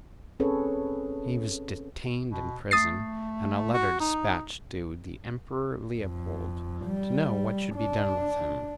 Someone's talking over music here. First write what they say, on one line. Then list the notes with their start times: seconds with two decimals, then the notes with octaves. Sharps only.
He was detained in prison, and a letter despatched to the Emperor Leopold, to know what should be done with him.
0.40 C4 C#4 G#4 A4 B4 C#5
2.29 B2
2.71 A3 D#6 A6 C7
3.74 F#4
4.00 D#4
5.98 F2
6.86 G3
7.77 D4